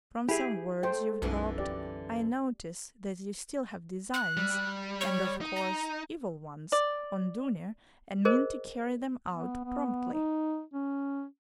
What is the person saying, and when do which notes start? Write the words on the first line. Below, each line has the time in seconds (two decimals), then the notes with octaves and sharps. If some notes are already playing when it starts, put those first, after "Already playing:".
"From some words you've dropped, I notice that you still have designs--and of course evil ones--on Dounia and mean to carry them out promptly."
0.29 E4 G4 G#4 G#5 B5
0.83 A3 C5 G5
1.22 B1 F#2 D3 E3
1.58 G4 D5
4.14 F#6
4.37 G3
5.01 C#5
5.41 D#4
5.56 A#5
6.72 D5
8.25 G#4 A#4 C5 D#5
9.31 B3
9.64 B3
10.13 D#4
10.74 C#4